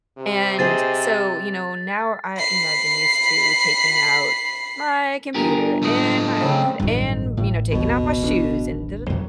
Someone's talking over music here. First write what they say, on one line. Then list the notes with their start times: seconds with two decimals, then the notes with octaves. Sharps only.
and so, you know, now I you know, I've been used to taking out my computer and my iPad and, you know, taking off my shoes and
0.18 C3
0.59 G#4 C5 D#5 A6
2.37 B5 C7
5.34 G1 G4 G#4 A#4
5.83 A2 A3 D#5
6.40 C#3 C4
6.80 A1 G2 A#2 D#3 F#3
7.37 A2
7.72 D#2 B2 D3
8.22 D1 C#4 D4
9.10 E2 F#3